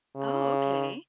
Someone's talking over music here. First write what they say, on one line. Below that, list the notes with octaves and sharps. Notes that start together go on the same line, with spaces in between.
Oh, okay,
C#3